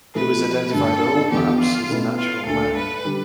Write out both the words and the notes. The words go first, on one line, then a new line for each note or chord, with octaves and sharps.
It was identified on old maps as "Natural Mound".
C3 F3 A3 B4
G2 D3 A3 A4
E2 D3 F3 B3 G4
F4
B2 A3 E4 B4
F4
D2 D3 A3 A4
B4
D3 G3